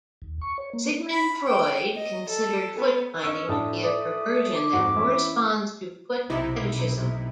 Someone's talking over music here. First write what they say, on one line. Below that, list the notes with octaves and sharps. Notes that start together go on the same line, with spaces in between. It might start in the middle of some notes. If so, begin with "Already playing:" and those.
Sigmund Freud considered footbinding to be a "perversion that corresponds to foot fetishism".
D#2
C#6
C#5
A#3
B5
G5
D#5
A4
B3
C#4 D#5 E6
A2 A3 D4 A5 D#6
D5 D#6
D6
F2 G#2 F#4
E3 C#4 E4
B1 C3 D#4 E4